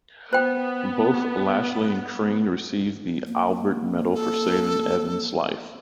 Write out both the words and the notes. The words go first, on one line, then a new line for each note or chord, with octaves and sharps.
Both Lashly and Crean received the Albert Medal for saving Evans' life.
B3 C5 G5
A#3
A4